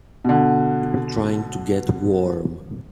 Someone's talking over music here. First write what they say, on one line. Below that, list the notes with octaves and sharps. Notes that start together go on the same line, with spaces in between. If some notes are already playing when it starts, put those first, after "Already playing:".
People trying to get warm.
B2 D3